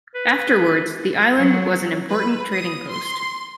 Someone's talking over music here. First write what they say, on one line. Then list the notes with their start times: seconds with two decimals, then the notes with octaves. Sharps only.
Afterwards, the island was an important trading post.
0.15 B4
1.36 F#3
2.09 B4
2.54 D#6
2.89 C6